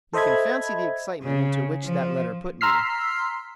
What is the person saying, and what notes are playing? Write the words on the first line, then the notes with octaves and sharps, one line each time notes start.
You can fancy the excitement into which that letter put me.
A4 C5 D#5 E5 B5 G#6
C#3
F3
A#5 C6 E6 F6 B6 C7